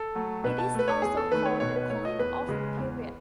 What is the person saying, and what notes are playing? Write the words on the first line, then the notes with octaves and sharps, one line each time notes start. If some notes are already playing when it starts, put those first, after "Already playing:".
It is also called the cooling-off period.
Already playing: A4
F#3 A3
B2 B4
A5
A3 B4
C#5
E2 G#4
A4
D#3 A3 B4
C#5
B2 C#5
B4
A3 C#5
D#5
E2 B4
C#3 G#3
E2